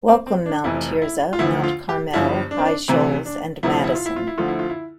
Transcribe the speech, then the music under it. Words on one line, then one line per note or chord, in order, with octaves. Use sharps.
Welcome, Mount Tirzah, Mount Carmel, High Shoals, and Madison.
C4
C4
D4
F1 F2 E3 E4
E4
F4
D2 D3 F3 E4
F4
G4
G1 G2 F3 E4
D4
C4
D4
D2 C3 E3 C4
D4
D2 C3 F3 E4
F4
E4
F4
E4
F4
E4
D2 D3 F3 F4
E4
F4
E4